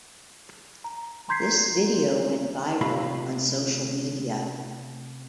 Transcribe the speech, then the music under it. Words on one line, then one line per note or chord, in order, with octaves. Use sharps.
This video went viral on social media.
A#5
A#5 C6 G6 G#6 B6 C7
C3 A3 F4 B5